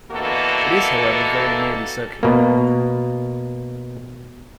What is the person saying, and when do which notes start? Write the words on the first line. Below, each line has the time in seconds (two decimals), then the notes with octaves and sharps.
It is, however, very nearly circular.
0.12 B2 D3 E3 A#3 F#4 A4
2.23 B2 A#3